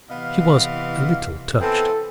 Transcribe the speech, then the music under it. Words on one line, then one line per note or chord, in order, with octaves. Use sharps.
She was a little touched.
C3 E3 B3 D#5 F5
E3 B3 C4 A4